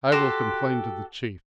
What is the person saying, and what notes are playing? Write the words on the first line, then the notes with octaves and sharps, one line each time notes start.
I will complain to the Chief.
F#4 G4 A4 C6